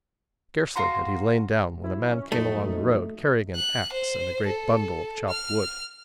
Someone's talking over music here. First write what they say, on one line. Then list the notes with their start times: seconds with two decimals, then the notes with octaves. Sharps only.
Scarcely had he lain down when a man came along the road, carrying an axe and a great bundle of chopped wood.
0.76 F4 F#4 A#5 C6
1.84 F#3 E4
2.12 C#4
2.32 F2 A#2 F#3 A3 D#4
3.55 F#6
3.92 C5
4.46 A4
5.29 F6